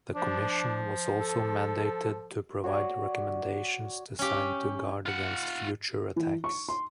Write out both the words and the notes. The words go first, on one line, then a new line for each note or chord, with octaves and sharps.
The commission was also mandated to provide recommendations designed to guard against future attacks.
F3 D4
A4
F#4 C#5 D5 F#5
C#4 G4
F4 F#5
E3
C#6
C6